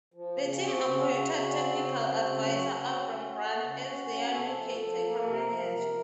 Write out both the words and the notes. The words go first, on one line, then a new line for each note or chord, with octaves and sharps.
The team appointed technical advisor Avram Grant as their new caretaker manager.
F3
C#3
C4 F#4
C#3
C#3
C#3
C4
C#3
C4
C#3
F#3 F#4
C#3
C#4
C#4
A3
C#3
C#4
C#4
C3 A4
F3
F3
A#3
C3 A#4
F3
C3